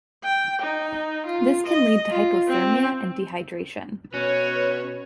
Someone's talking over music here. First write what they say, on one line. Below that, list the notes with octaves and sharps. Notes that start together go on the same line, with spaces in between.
This can lead to hypothermia and dehydration.
G5
D#4
F4
D#5
F4
C4
B2 C#4 F#4 B4 C#5